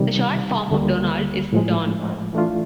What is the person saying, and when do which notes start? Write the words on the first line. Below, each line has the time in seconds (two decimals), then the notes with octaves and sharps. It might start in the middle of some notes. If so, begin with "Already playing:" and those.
A short form of "Donald" is "Don".
Already playing: C3 D#3 G3
0.71 D2 D3 G3 A#3
1.53 A2 F3 G#3
2.33 E3 A3 D4 F4